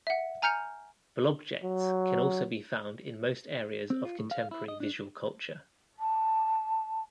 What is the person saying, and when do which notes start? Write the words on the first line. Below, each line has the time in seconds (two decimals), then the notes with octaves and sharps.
Blobjects can also be found in most areas of contemporary visual culture.
0.07 E5 F#5
0.42 G#5 A#5 F6 G6 C#7 F7
1.63 F#3
3.90 C4
4.05 F4
4.19 A2
4.31 F5
4.51 E4
4.68 D#5
4.80 D4
5.99 A5